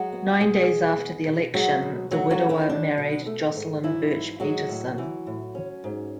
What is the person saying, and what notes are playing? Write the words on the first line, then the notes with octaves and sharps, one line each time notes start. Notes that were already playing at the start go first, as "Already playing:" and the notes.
Nine days after the election, the widower married Jocelyn Birch Peterson.
Already playing: F#3 G#3 F#4
B3
B2 G#3 G#4
E2
B3
B2
F#3 G#3 F#4
B2
F#3 A3 F#4
F#3 F#4
C#4
E3 E4
F#3 D4
B2
A3
G#2
E3 F#3 E4
G#2
F#3 G#3 F#4
A2
E3
A2
C#4
G#2